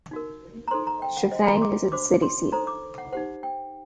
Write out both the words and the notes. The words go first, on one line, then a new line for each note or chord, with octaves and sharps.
Shifang is its city seat.
D#4 F#4 A#4
A#5
D#4 A4 C5 C6
A#5
G5
F#5
F#4 C5 D#5
A#5
C6
D6
D4 F#4 C5 D6
C6
D#4 A4 C5 A#5
D6
F#5
D#4 G4 C5 F#5
G5